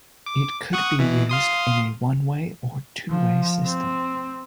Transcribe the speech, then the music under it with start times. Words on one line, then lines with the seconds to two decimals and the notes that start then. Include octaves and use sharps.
It could be used in a one-way or two-way system.
0.26 D6
0.73 F#5 C#6 D#6
0.99 B2 E3
1.29 F5 C6 D#6
3.09 F3
3.65 C4